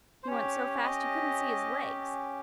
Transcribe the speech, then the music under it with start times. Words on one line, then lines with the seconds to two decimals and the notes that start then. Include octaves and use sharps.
He went so fast you couldn't see his legs.
0.23 C5
0.27 C#4 G4 C#5
0.84 D#5